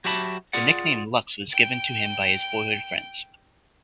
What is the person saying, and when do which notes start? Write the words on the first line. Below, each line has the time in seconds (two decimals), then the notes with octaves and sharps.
The nickname "Lux" was given to him by his boyhood friends.
0.05 F#3 F#4 G4 E5 A5 B5
0.53 F4 G#4 D5 F#5
1.51 G5 D7